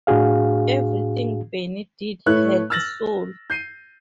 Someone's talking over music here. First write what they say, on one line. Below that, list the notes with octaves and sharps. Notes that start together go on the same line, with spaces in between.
Everything Bernie did had soul.
A2 D4 F#4 G#4 F5
A2 A3 E4 B4 C#5 F#6
E6 F6 A6 A#6 F#7
G6 C7 D#7